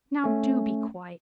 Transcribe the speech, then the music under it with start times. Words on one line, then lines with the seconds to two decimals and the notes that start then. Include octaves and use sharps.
'Now do be quiet.
0.24 A3 C#4